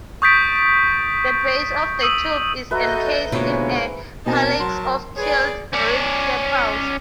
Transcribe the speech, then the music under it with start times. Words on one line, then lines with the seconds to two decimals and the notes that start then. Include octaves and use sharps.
The base of the tube is encased in a calyx of keeled, ribbed sepals.
0.22 C#6 D#6 G6 A6 B6 D7
2.01 D#6 E6 D#7 F#7
2.71 F#4 A4 B4 D#5 E5 A#5 G6
3.32 G#2 B2 D3 A#3 F4 C#5
4.26 B2 C4 D#4 A#4 G#5 A5
4.59 F#3 C6
5.16 G#4 B4 C#5 D5 G#5
5.73 C#4 D5